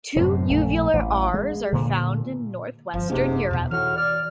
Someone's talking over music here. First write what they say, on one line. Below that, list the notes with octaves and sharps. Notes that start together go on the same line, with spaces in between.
Two uvular Rs are found in north-western Europe.
F#2 A2 C3
A#1 D#3 A3
A1
G#3
A#2 D3
G1 F3
F#1 G#2 C3 A#3 C#4
E2 B2
A2 E3 F#4 F6
D5 F6